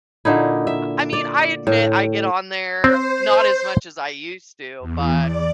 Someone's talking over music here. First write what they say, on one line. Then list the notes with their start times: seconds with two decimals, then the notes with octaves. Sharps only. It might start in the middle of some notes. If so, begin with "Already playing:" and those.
I I mean, I admit I get on there- not as much as I used to, but,
0.25 A#2 D3 D#4 E4
0.67 E5
1.13 D5
1.67 A2
2.84 C4 C5
4.80 E2
5.19 D5